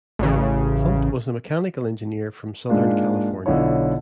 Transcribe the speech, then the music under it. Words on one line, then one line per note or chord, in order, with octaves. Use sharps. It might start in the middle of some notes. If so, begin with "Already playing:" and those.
Hunt was a mechanical engineer from Southern California.
A1 C#3
G#2 G#3 A#3 D4 F4
B1 D3 E4 F4 C#5